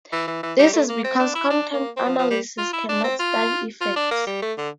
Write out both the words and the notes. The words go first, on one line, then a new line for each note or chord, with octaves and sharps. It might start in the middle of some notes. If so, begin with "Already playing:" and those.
This is because content analysis cannot study effects.
E3
E3
E3
G3
A3
A#3
C4
D4
E4
D4
A#3
C4
F3
F3
G3
F4
E4
D4
C4
F4
F4
D4
A#3
G3
A3
D3